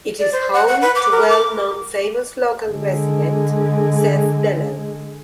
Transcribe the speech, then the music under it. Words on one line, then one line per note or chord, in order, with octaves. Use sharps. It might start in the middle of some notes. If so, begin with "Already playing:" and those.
It is home to well known famous local resident Seth Dellow.
D5
C5
F#5
F#5
B4
D6
A#4
D6
D3 G#3